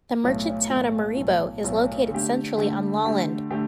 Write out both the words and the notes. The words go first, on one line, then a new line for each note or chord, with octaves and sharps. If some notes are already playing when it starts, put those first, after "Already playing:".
The merchant town of Maribo is located centrally on Lolland.
B1 A2 A3
B1 A2 A3
B1 A2 A3
B1 A2 A3
D3 A3 G4
D3 A3 G4
D3 A3 G4
D3 A3 G4